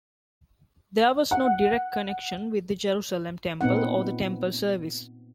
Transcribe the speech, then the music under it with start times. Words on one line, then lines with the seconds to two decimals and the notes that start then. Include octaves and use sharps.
There was no direct connection with the Jerusalem Temple or the Temple service.
1.31 F#5
3.61 A#2 B3 C4 D#4 F#5